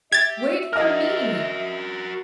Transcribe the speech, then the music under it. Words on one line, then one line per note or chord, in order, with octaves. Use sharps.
"Wait for me!"
G4 E5 G#6 A6
F#4 A#4 D#5 F6